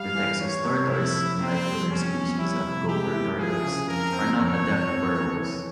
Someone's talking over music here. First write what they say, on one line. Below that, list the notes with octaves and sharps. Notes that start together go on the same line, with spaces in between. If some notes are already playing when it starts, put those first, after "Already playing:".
The Texas tortoise, unlike other species of gopher tortoise, are not adept burrowers.
Already playing: G3 F5
E3
E3 C#5
C3
F2 E4
F2
A#3 C4
G3
F2 C#4
E3
G3 E4
C3
G#3 G4
E4
F3 G#4
C#3
F2 A#4
C4
F2 C#5
F2
C4
E3
E3